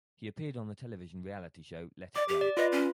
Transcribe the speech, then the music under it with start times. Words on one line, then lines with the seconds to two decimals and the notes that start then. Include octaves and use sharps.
He appeared on the television reality show ""Let It Go!
2.16 D5 D6
2.28 G4
2.41 D5
2.57 F4 B4 D#5
2.72 C#4